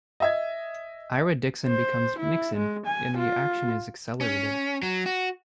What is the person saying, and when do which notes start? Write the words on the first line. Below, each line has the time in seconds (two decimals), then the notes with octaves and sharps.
Ira Dixon becomes "Nixon," and the action is accelerated.
0.20 D#5 E5 G#6
1.67 C5
2.18 E4
2.55 G#3
2.86 G#5
3.17 F4
4.21 C#4
4.83 F#3
5.06 F#4